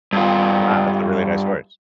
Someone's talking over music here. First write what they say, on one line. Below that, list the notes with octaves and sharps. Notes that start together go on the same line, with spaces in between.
"Wow, that's a really nice horse."
G2 F4